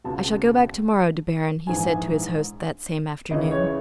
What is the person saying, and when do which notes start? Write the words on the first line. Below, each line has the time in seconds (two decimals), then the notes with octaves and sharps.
"I shall go back to-morrow, De Baron," he said to his host that same afternoon.
0.04 C#2 B2 A5
1.67 A#1 G#2 E3 G#5
3.31 C#2 C#3 E3 D#5
3.51 C#5